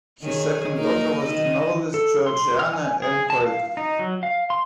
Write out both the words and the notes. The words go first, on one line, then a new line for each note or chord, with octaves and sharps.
His second daughter was the novelist Georgiana M. Craik.
D#3 G#4 C#5
A#3 D#4 A#4
D#3 D#5
A4
C6
F6
G#5
G#4
A5
F5
D#4
F#3
F5
C6